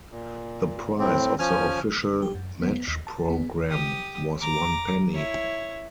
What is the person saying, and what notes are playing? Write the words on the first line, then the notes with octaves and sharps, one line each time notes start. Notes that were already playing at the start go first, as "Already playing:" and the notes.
The price of the official Match Programme was one penny.
A#2
A2 C4
F3 C#4 G#5 F6
G4
F#2
B3
D#2
A5
B3
G4 D#6
A#5 D6
E4 C#5